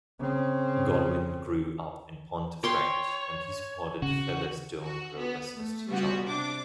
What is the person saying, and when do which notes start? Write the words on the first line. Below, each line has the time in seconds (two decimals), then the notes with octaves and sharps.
Godwin grew up in Pontefract and supported Featherstone Rovers as a child.
0.20 C#3 C4
2.64 C#5 G5 C6 D6
4.02 C#3 F#4
4.82 F#4
5.17 B3
5.55 A3
5.90 C#3 G3 B3 F4 F#4
6.23 C3 D4 D6